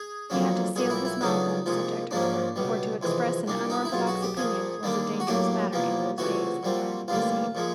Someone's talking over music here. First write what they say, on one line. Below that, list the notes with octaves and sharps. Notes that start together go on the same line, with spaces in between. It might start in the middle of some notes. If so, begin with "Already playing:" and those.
He had to seal his mouth on the subject, however, for to express an unorthodox opinion was a dangerous matter in those days in the Land of the Saints.
Already playing: G#4
F2 D3 F#3 A#3 C#4
B1 A#2 G3 G#4
E4
E4
F2 C#3 F#3 B3 D4 D#4
C2 A#2 F3 G#3
G#2 F3 A#3 C#4 D4
C#2 B2 G3
F2 C3 E3 G#3
C2 A#2 G3 D4
D#4
E4
B1 B2 G#3 F4
F#4
G4
A#1 A#2 F3 G#4
D#2 D3 G3 A#3 D4
F#4
A2 F#3 A#3 D4 G4
E2 C3 F3 A#3
C#2 C3 E3 A3 F#4
A#2 G3 C4
A1 G2 D3 G3 A#3 F4
A#2 F3 G#3